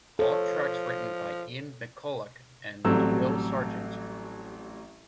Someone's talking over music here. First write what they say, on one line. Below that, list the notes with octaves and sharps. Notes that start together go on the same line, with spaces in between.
All tracks written by Ian McCulloch and Will Sergeant.
F3 A4 C#5
A1 F#3 G3 C4 A4 E6